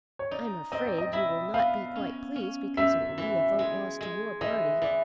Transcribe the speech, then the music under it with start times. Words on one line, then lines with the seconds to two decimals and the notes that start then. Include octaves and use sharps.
I am afraid you will not be quite pleased because it will be a vote lost to your party.
0.19 C#5
0.31 D#4 D5
0.72 C4 D#5
0.85 D5
0.98 D#5
1.13 E4 E5
1.54 B3 F5
1.95 C#4
2.36 C#4
2.77 F#2 E5
3.18 E3
3.59 G#3
4.01 G#3
4.41 E3 D#5
4.82 E3 D5